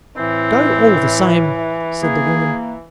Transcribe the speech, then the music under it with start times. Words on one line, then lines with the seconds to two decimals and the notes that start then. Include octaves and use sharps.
"Go, all the same," said the woman.
0.17 A2 E3 C4
2.03 A#3 G#4